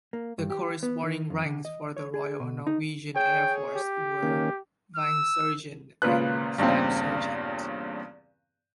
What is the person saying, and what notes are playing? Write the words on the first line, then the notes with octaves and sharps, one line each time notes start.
The corresponding ranks for the Royal Norwegian Air Force were "vingsersjant" and "stabssersjant".
A#3
G2
G4
B3
D#3
F2
D3
D#5
C#5
G#4
B2
D#4
G#4 C#5 G5
G4
D#3 A#3 C#4
E6
G#1 A#2 C#3 F4 B4 F#6
E2 G2 A#2 C#3 C4